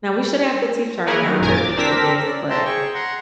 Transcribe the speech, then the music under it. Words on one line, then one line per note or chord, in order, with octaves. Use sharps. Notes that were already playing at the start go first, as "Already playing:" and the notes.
Now we shouldn't have to teach our younger people this, but
A#3 E4 G#4 A#4 B4 C#5
D#3 F#3
G#1 F#2 A#2 D#3 A#4 G#5
D6 A6
C4 D4 A#4 E6 A#6 B6
C#4 D5
C5 E5 G5 A5 A#5 C6
G#4 G5 C#6
F#5 A#5 C6